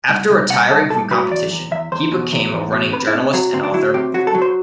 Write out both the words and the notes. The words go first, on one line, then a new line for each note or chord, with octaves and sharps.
After retiring from competition, he became a running journalist and author.
C2
C2
C2 F#5
C2 A4
C2 A4
F#3 B4
E2 D5
E2
E2 E5
E2 C5
B2
E2
E2
B2
C3 B4
E4
C3 D4
F#3 C4
D2 C4
D4
F#3 E4
C3 G4
F#3 F#4
A4
F#3
C5